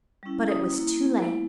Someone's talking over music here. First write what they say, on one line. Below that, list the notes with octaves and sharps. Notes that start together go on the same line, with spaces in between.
But it was too late.
G3 C#4 E4
D#6
A#3 E4
G#3 B3 E4